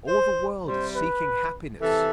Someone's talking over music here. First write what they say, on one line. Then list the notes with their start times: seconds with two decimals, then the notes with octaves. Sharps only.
All the world is seeking happiness.
0.08 C5
0.66 C3 G3 C5
0.94 B4
1.81 C3 E3 A4